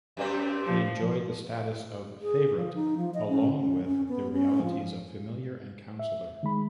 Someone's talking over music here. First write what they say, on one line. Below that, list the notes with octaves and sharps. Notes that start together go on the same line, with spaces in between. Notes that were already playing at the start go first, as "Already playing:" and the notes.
He enjoyed the status of favorite, along with the realities of familiar and counsellor.
F#2 G3 C4
F3
G#4
F3
D#4
F3
D#5
C#4
C#4
C#4
B3
C#4
F3
E5
D#3 G#3 B5